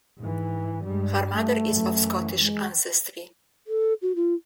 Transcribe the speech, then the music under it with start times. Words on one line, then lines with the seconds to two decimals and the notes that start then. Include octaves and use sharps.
Her mother is of Scottish ancestry.
0.18 G#2 E3
0.84 G2 G3 G#3
1.33 A3
1.69 F#2 E3
2.40 G#3
3.67 A4
4.02 F#4
4.16 F4